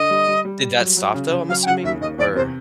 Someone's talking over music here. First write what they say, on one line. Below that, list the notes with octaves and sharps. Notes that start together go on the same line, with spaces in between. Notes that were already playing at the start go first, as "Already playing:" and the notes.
Did that stop, though, I'm assuming? Or...
Already playing: D3 D#5
G3
G3
G3
G3
F#3
F#3
C#3
C#3
F#3 F5
G5
C#3 F#5
D#2 E5
D#2 D#5
E2 D5
C3 C5